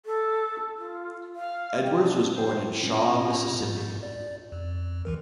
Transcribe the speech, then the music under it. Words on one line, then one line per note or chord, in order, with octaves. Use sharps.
Edwards was born in Shaw, Mississippi.
A4
F4
F5
G4
D4
C5
A2 C#4 F4
G#2
D5
F2
C#2 E3 A#4